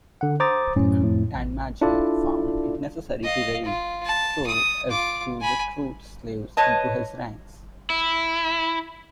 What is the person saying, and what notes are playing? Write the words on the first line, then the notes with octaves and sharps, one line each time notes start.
Danmaje found it necessary to raid so as to recruit slaves into his ranks.
D3 F#5
C5 A#5 D6 D#6 A6
F#2 A2 C#4
F2 A2
A1
D4 E4 F4 A4 D5
D#5 F5
F4
A5
D#6
F4 D6
G#5 B5
B4 C#5 D#5 A5
E4